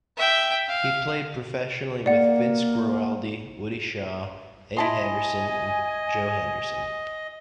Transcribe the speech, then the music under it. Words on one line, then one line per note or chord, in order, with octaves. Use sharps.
He played professionally with Vince Guaraldi, Woody Shaw, Eddie Henderson, and Joe Henderson.
E5 G5
F5
A#3 D5 F#5
E4 D#5 G#5 A5 C6